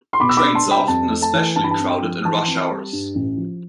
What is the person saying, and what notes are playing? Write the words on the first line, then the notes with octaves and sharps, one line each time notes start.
Trains are often especially crowded in rush hours.
C6
B2 B5 D6
E6
B5 D6
D4
A5 C6
G3
G5 B5
F2 A5
A3
A5
E3
G2 A5
B5
A5
C4
G5
F3
E3 A5
C4
G3
G2
A1
F3